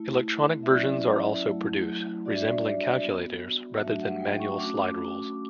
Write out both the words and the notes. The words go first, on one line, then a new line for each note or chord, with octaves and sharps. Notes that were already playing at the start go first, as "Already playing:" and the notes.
Electronic versions are also produced, resembling calculators, rather than manual slide rules.
Already playing: A3 E4
E5
F#3 C#4 E4 D5
F#3 A3 E4
G3 D4 F#4 D5
E5
D5
B3 F#4
F#3 A3 D4 F#4 E5
F#5
G5
C#6
A3 C#4 F#4 D6